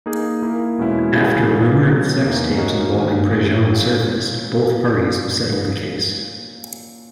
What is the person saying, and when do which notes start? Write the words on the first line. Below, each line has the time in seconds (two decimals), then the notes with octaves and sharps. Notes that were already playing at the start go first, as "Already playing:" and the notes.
After rumored sex tapes involving Prejean surfaced, both parties settled the case.
0.06 A#3 D#4 G#4
0.42 A#3 E4 A#4
0.78 E2 B2 G#3 C#4 E4
1.14 E2 C#3 E3 G#3
1.50 A#2 A#3 E4 B4
1.86 B2 F#3 C#4
2.22 E2 B2 A#3 D#4 A#4
2.57 A#3 C#4 F#4 A#4 D#5
2.94 D#3 A#3 C#4
3.29 E3 A#3 E4
3.65 A#2 A#3 C#4